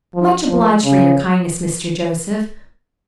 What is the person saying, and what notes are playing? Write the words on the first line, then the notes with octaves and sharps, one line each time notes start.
Much obliged for your kindness, Mr. Joseph.
F3
F3
C#3